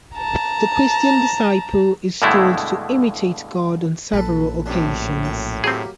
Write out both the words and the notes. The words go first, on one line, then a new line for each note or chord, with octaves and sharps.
The Christian disciple is told to imitate God on several occasions.
A5 A#5
G2 B2 D3 G#3 A3 E4
A#1 A#2 A4 B4
F#2 A2 C3 D4
F#2 G5
F#3 A#3 C4 G4 G#4